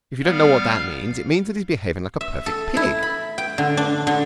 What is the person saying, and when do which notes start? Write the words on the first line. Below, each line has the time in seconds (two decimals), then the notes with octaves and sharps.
If you don't know what that means it means that he's behaving like a perfect pig.
0.24 G3 B3 F5
2.21 E5
2.46 A4
2.77 E4
3.03 B5
3.38 G5
3.58 D3
3.77 D4
4.07 D3